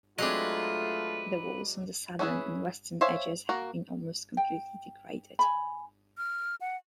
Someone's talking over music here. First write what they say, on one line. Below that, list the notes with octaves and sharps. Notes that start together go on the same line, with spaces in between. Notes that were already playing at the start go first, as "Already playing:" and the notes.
The walls on the southern and western edges have been almost completely degraded.
F#3 G#3 A3 C4 D4 F4 B4 D#5
C#4 D4 E4 G#4 B4
C5 C#5 E5 F5 G#5
A#3 F#4 A#4
G5
G#5 B5
F6
F#5